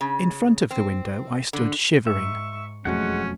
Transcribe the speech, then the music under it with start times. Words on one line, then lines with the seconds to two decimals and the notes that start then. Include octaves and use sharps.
In front of the window I stood shivering.
0.01 C#3
0.71 C4
1.53 D3
2.07 G#2 E5 C#6
2.85 E1 F2 F#3 G#3 A3 C#4 F#5